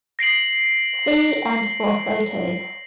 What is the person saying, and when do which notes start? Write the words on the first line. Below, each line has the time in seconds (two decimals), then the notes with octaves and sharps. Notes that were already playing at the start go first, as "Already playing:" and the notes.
See and for photos.
0.19 A#6 C7 D7 F#7